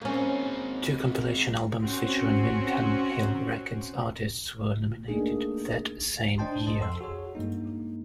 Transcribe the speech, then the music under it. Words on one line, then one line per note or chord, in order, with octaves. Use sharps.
Two compilation albums featuring Windham Hill Records artists were nominated that same year.
G#2 A#3 C4 C#4
C4 C#4 F#4
A3 A#3 D4 D#4 G#4
D4 C5 D#5 G5 A5 C6
A4 C5 D#5 A5
F2 A4 C6 E6
F#4 G#4 C#5
G2 G#3 A#3 D#4